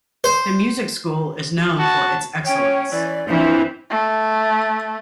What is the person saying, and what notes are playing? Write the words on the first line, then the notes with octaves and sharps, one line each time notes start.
The music school is known for its excellence.
C5
F#4 A5
C#4 C#5 G5
E3 D5
E3 F3 C4 D4
A3